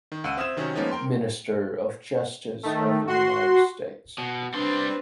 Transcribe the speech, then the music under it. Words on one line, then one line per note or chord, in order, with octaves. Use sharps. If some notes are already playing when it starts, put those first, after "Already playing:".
Minister of Justice of the United States.
D#3
C#2 F#5 E6 D#7
C4 E5 D#6 F6 G#6 E7
C3 D#3 F#3 C#4
F3 G#3 A#3 B3 C#4 D#4
A#4 G5 C6
D#3 A3
F#4 C6
B2
G3 C4 D4 B4 C6